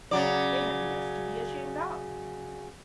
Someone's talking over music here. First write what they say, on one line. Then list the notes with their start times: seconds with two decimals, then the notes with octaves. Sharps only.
They have less to be ashamed of.
0.11 C#3 F#3 D5